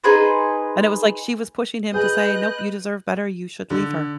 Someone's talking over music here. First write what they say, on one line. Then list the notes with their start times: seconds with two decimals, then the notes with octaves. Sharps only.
And it was, like, she was pushing him to say, "Nope. You deserve better. You should leave her."
0.04 D#4 G#4 B4 C5
1.94 G#4 B4 D#5 F#6 G6
3.70 D3